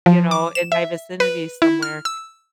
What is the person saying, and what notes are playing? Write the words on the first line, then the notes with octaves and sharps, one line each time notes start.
you know, in my vicinity somewhere,
F3
D6
E7
E5
B4
E4
F6
E6